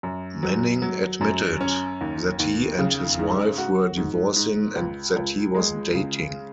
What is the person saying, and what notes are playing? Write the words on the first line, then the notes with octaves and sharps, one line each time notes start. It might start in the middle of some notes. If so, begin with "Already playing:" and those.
Manning admitted that he and his wife were divorcing and that he was dating.
F#2
F#3
F#3
F#2
C#4
D#2
D#2
C#3
G#2
F#4
G#2
G#2
C#2
C#2
G#3
C#3